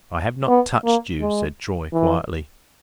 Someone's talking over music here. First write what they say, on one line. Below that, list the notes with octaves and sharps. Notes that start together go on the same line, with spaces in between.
"I have not touched you," said Troy, quietly.
B3
A#3
G#3
E3